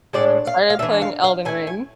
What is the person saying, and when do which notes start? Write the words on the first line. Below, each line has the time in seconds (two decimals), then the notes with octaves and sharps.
Started playing Elden Ring,
0.13 A2 G#3 D4 D5
0.47 F5
0.70 F5
0.79 E3 A3 D4 E5
1.02 F5
1.24 F5
1.45 D3 A3 E4 G#5
1.67 G#5